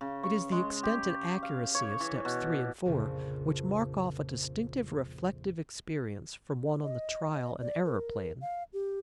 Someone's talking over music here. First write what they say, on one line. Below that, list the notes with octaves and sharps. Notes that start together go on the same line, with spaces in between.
It is the extent and accuracy of steps three and four which mark off a distinctive reflective experience from one on the trial and error plane.
C#3
C#6
G#3
G4
F5
C#5
E3
B2
A#1 F2 C#3
D#5
D#5
D5
A#4
F5
G4